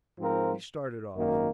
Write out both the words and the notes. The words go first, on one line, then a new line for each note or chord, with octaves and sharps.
He started off.
G#2 F3 C4 F4 A#4
G#1 F#2 D#3 A#3